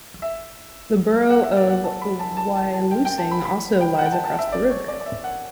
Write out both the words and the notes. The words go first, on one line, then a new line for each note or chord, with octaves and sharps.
The borough of Wyalusing also lies across the river.
E5
F#5
E5
D5
F#5
A5
B5
A5
A5
A5
A5
G5
G5
A5
B5
B5
G5
F#5
G5
A5
A5
E5
D5
C#5
D5
D5
E5
F#5